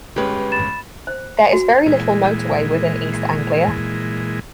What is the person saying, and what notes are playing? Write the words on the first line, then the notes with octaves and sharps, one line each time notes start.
There is very little motorway within East Anglia.
G1 G#3 C#4 G4 B4
B5 A6 E7
C5
F#4
A#2 E3 G#3